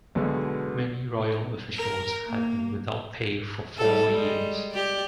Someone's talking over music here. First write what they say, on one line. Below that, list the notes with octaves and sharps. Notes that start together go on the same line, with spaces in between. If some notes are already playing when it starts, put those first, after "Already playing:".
Many royal officials had been without pay for four years.
B1 B2 D3 G#3
A#4
A#3
G3 A4
G3 G#3
G4 D5